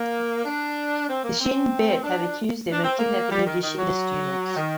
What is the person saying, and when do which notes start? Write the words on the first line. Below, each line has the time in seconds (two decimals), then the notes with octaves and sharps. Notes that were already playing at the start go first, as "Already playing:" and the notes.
The Shin Bet has accused them of kidnapping the Yeshiva students.
Already playing: A#3
0.45 D4
1.08 C4
1.24 A#3
1.40 C4
2.03 D4
2.72 D4
2.83 C4
2.99 A#3
3.30 G3
3.46 D#3
3.62 D#3
3.78 F#3
4.56 D#3